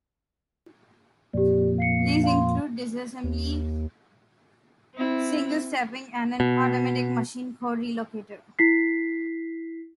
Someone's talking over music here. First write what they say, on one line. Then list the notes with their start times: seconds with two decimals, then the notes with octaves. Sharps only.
These include disassembly, single-stepping, and an automatic machine code relocator.
1.33 F2 A#2 G4 D5
1.78 F5 C7 C#7
2.24 F5 C6
3.24 D#2
4.95 C4 E4
6.40 B2
8.59 E4 B6 C7